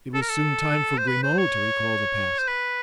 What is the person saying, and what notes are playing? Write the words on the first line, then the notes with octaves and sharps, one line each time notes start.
It was soon time for Grimaud to recall the past.
A4
A#4
A4
C5
B4
C5
C#5
C5
B4